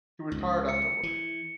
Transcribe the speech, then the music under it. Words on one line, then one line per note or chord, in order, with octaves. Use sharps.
He retired afterward.
C#2
C#7
E3